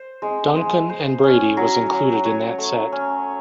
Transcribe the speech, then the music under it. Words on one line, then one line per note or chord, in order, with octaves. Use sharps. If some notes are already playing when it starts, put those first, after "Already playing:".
"Duncan and Brady" was included in that set.
Already playing: C5
G#3
G#3
C5
C#4
F#3
F#3
C#5
A3
C#4